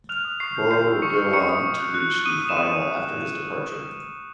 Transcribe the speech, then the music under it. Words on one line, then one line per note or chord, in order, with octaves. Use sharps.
Boro would go on to reach the final after his departure.
F6 F#6 F7
D#6
C#6 C7
G6
G6 C7
E6
C#6 D#6 C#7
G6
C#6 D#6 C#7
D#6
C#6
F#6
F#6
F#6
D#6 D#7
D#6
E7
D#6 D#7
D#6